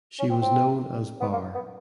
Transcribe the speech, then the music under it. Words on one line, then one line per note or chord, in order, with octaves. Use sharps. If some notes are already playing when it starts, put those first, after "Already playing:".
She was known as "Bar".
C#4
C4
C4
B3
A#3
B3